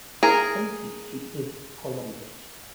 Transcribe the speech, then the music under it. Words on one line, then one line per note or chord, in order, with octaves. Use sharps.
Its county seat is Columbus.
G#4 A#4